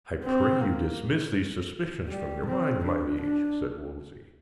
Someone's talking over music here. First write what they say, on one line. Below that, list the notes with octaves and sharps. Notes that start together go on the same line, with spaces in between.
"I pray you dismiss these suspicions from your mind, my liege," said Wolsey.
C4
A#3
G3
C4
D4
D4